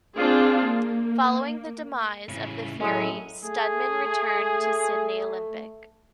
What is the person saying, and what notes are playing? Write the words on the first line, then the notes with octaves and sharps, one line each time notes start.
Following the demise of the Fury, Studman returned to Sydney Olympic.
C4 D4 F4 G#4
A#3
A2 C#3
A2 F#3 G#3 C#4 G#4
A3 G#4